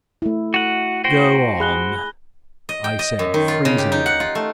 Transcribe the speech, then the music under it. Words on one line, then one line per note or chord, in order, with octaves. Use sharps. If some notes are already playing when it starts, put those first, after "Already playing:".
"Go on," I said freezingly.
A3 E4
F#4 F#5 D#7
F#4 C5 G5 A#6
G#4 B5 F#6 G7
D#5
G5
D#5
F#2
D#3
F4
C#3
G4
D#4
F#5
F4
A3